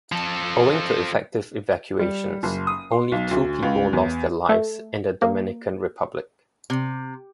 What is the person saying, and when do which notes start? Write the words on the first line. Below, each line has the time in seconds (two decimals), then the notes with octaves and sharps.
Owing to effective evacuations, only two people lost their lives in the Dominican Republic.
0.12 F3 A4
1.99 G3
2.43 F#1
2.67 D#6
2.92 C6
3.12 B1
3.31 D2
3.63 C#2
3.93 E2
4.49 A3
5.22 A#3
6.70 C3